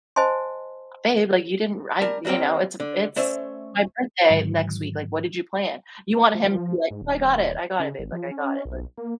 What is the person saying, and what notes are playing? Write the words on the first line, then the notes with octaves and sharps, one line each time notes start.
"Babe, like, you didn't ra you know, it's a it's my birthday next week, like, what did you plan?" You want him to be like, "Oh, I got it, I got it, babe, like I got it. Like,
C5 D#5 G#5 A5 C6
G3 A#4 A5
E3 G3 A#3 C4 G5
D3
A3 C#4 C5 D5 E5
G#2 D3 D#3 F#3
F3
G#2
D#1
C#3
G#1
F3
C#4
B1
A#3